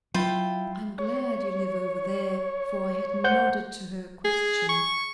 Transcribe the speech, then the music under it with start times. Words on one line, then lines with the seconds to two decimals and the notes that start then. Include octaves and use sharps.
"I am glad you live over there," for I had nodded to her question.
0.14 F#3 E4 F4 G5
0.99 C#5
3.24 C5 F#5 G6
4.25 G#4
4.69 C#6